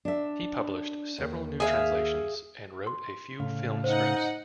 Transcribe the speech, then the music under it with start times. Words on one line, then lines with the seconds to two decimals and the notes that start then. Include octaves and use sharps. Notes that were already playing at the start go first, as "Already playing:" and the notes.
He published several new translations and wrote a few film scripts.
0.05 D4 E5
1.18 D#2
1.60 G#4 E5 F5
2.87 C6
3.40 A2 C#3 F5
3.84 D#4 C5 D#5 F#5